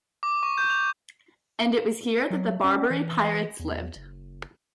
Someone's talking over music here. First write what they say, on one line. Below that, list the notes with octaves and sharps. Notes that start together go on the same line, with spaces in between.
And it was here that the Barbary pirates lived.
D6
C#6
G6
F7
F#3
C#4
E3
E2
F#1